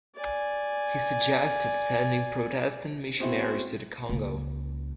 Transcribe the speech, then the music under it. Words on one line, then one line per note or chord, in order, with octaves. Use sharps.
He suggested sending Protestant missionaries to the Congo.
D5 G#5
B3 C4 E4 F#4 G#4 C5
C#2 A#3